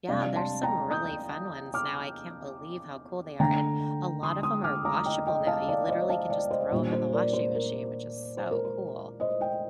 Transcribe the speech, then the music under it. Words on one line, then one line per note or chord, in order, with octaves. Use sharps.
Yeah, there's some really fun ones now, I can't believe how cool they are, and a lot of 'em are washable now; you literally can just throw 'em in the washing machine, which is so cool.
C3 G3 D4 D5 F5
A5 C6
G5 A#5
D#6 G6
D6 F6
D3 A3 D4 G5 A#5
C6 D#6
C6 D#6
D6 F6
A#5 D6
D#5 G5
D#5 G5
F5 A5
D5 F5
C5 D#5
F5 A5
D5 F5
C5 D#5
A#2 G3 A#3 D4 C5
C5
A#4 D5
C5
A#4
C5
A#4
C5
C5 D#5
D#5 G5